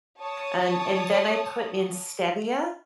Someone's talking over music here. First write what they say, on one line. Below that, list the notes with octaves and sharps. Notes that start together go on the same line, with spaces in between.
um, and then I put in Stevia,
C#5 A5 D#6